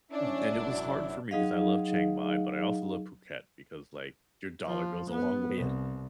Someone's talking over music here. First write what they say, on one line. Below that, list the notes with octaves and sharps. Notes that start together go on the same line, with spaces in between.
Mhm, and it was hard for me 'cause I love Chiang Mai, but I also love Phuket because, like, your dollar goes a long way at
C#4 D4 E4
E1 F#2
F#3 D#4 G#4 D#5 F5
F3
B3
C2